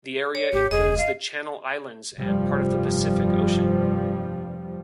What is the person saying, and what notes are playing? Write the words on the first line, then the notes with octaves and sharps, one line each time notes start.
The area includes the Channel Islands and part of the Pacific Ocean.
C#5
G#1 G4
E1 C#2 G#4 D#5
F#2 F5
F1 G2 F3 G3